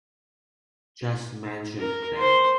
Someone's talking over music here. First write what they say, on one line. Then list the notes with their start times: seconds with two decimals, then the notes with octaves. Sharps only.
Just mentioned them.
1.80 A#4
2.16 C5 C6